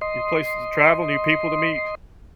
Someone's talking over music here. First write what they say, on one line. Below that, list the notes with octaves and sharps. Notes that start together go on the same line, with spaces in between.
new places to travel, new people to meet.
D#5 C6